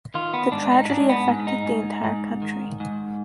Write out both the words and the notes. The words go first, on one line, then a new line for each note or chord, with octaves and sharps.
The tragedy affected the entire country.
D#3 F4
B3
G#2 D4
D#4
G#2 D4
B3
G#2
D#4
G#2
G#2
D#3
G#2